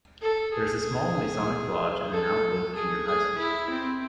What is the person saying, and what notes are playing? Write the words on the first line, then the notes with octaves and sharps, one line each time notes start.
There is a small Masonic lodge and a now-closed junior high school.
A4
G#4
A4
G#4
G#4
E4
C4